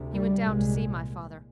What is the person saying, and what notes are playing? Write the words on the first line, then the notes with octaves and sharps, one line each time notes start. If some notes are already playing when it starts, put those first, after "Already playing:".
He went down to see my father.
Already playing: D2 C3
G3
C2 A#2 G#3